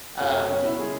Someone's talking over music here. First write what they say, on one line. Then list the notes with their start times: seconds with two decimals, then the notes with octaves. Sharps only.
um, y
0.20 F#2 C#3 F#3 A3 C#4
0.49 B2 F#3 B3 C#4
0.65 E4
0.79 C#3 G#3 G#4